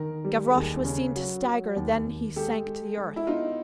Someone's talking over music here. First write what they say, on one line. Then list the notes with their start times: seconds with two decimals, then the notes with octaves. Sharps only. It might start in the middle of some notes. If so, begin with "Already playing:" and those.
Gavroche was seen to stagger, then he sank to the earth.
Already playing: D#3 A#4
0.25 G3
0.47 A4
0.55 D#2 G#4 A#4
0.85 C#3
1.16 F#3
1.46 F#3
1.76 D#2
2.06 D#2
2.36 G#3 G4 A4
2.67 G#3
2.97 G#3
3.16 E4
3.27 B3 D#4 F4